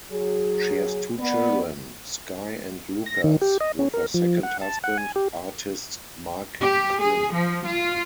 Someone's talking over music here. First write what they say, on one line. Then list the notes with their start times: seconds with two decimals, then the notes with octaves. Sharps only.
She has two children, Sky and Lucas, with her second husband, artist Marc Quinn.
0.11 F#3 G#4
1.19 B3 D5
3.06 A#6
3.24 D#3
3.41 G4
3.60 D#5
3.79 C#4
3.94 A#4
4.14 F3
4.43 F#5
4.61 A5
4.84 F#5
4.98 G#5
5.16 G4
6.63 G4
7.01 G#4
7.34 F3
7.68 F4